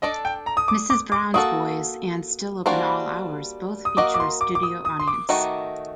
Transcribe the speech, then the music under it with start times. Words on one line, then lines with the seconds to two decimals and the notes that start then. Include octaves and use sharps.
"Mrs Brown's Boys" and "Still Open All Hours" both feature a studio audience.
0.02 D4 A4 D5 D#5
0.25 G5
0.46 A#5
0.57 D#6
0.68 D6
0.90 D6
1.12 D6
1.34 A#3 F#4 A4 D#6
2.66 G3 A#3 D4 F#4 C5
3.85 D#6
3.97 A#3 F#4 A#4 D#5 D6
4.14 D6
4.20 C6
4.41 D6
4.55 D6
4.63 D#6
4.85 D#6
5.00 C6
5.08 D6
5.29 D#3 A3 D#4 F#4